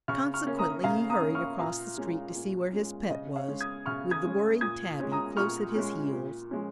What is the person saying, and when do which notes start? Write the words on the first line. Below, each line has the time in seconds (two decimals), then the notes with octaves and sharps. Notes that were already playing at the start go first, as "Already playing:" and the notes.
Consequently he hurried across the street to see where his pet was, with the worried Tabby close at his heels.
0.08 C#3 C#6 F6
0.34 C#6 F6
0.47 A#3 C#4
0.59 A#5 D#6
0.84 C#3 F5 A#5
1.10 A#5 D#6
1.21 A#3 C#4
1.35 C#6 F6
1.59 A#2 F5 A#5
1.97 G#3 C#4
2.36 A#2
2.73 G#3 C#4
3.11 C#3 D#5
3.36 C#5 F5
3.48 G#3 C#4
3.61 D#6 G#6
3.86 C#3 C#6 F6
4.11 D#6 G#6
4.25 G#3 C#4
4.61 A#2 D#6 G#6
5.00 G#3 C#4
5.12 A#5 D#6
5.37 A#2 C#6 F6
5.75 G#3 C#4
6.13 A#2
6.51 F3 G#3 C#4